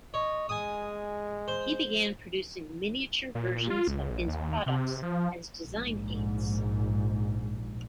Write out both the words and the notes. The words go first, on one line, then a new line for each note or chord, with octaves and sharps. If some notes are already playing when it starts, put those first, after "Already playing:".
He began producing miniature versions of his products as design aids.
C#5 D#5
G#3 G#5 D#6
C5
A#2
F4
C#2
A#1
D#2
C3
F3
A#1 G#2